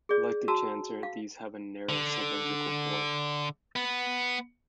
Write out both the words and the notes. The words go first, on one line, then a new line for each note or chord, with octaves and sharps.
Like the chanter, these have a narrow cylindrical bore.
G#4 D5
F#4 A5 A#5 E6
F5
D3
B3